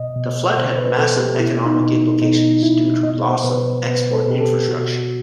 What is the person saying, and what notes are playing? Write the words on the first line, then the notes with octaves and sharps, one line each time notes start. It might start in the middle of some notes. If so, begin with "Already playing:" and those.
The flood had massive economic implications due to loss of export infrastructure.
Already playing: B2 D#5
B2
B2 C5
B4
B2 A4
G4
B2 E4
D#4
B2
B2 D#4
B2 E4
B2 D#5
C5
B2 B4
B2 B4
A4
B2 G4
A4
B2 F#4